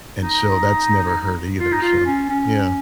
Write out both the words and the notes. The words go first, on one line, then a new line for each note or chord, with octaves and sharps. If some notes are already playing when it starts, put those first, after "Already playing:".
and so that's never hurt either, so yeah.
D#4
F4
D#4
F4
C#4
C#4